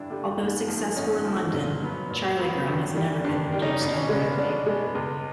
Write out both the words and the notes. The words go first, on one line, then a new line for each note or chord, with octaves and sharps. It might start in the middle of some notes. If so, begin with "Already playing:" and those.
Although successful in London, "Charlie Girl" has never been produced on Broadway.
Already playing: G2 D4 E4
D3 G3
G#2
F3 A3
G#2 C#4 D#4
F3 A3
A#2
F#3 B3
A#2
F#3 B3
G2
D#3 G3
G2 D4
D#3 G3
C#4 D#4
B2 D4
C#4
G#3 B3 D4
B2 D4
G#3 B3
C#2